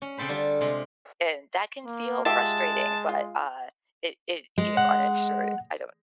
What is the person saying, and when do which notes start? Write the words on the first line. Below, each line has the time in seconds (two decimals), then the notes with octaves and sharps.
and that can feel frustrating, but, uh, it it you know, and I'm sure I don't
0.02 C#4
0.17 C#3 C4 A4 C5 B5
0.29 D3 G3 F4 C6
0.61 C3 G#3
1.86 A#3
2.25 G#3 F4 G4 E5 A5
3.09 F4
4.58 G#3
4.77 F#5